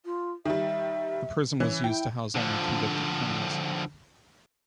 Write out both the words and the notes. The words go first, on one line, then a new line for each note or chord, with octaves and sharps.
The prison was used to house only convicted criminals.
F4
D#3 G3 E5
E3 C#4
E4 G5
D3 F3